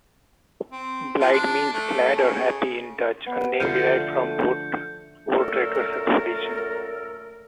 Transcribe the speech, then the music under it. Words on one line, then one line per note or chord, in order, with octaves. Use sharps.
Blyde means "glad" or "happy" in Dutch, a name derived from a voortrekkers' expedition.
C4
F3
D4
A3
C#3
B3
D3 F3 A3 F5 G6 C#7
F#2 A#2 A3 A4 A#4